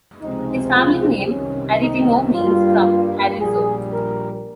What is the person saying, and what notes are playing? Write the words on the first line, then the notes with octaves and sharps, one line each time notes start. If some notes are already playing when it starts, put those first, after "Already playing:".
His family name 'Aretino' means 'from Arezzo'.
C#2 C3 F3 G#3 C4 D#4
F4
C2 C3 D#3 C#4
D#4
G2 G3 A#3 F4
A#1 A#2 G3 G#4
A#4